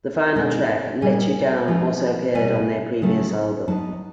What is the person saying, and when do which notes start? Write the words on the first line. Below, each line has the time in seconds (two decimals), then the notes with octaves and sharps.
The final track, "Let You Down," also appeared on their previous album.
0.35 B2 G#3 C4
1.02 A#2 G3 B3 D#4 G#5
1.68 F3 G#3 C#4 E4
2.35 B2 G3 A#3 G#5
3.02 C#3 F#3 A3 C4
3.68 F#3 B3 D#4 A5